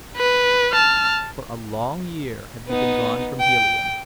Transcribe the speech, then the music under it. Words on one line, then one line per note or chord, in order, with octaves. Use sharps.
For a long year have you been gone from Helium.
B4
A5 F6
B3 D#4
G5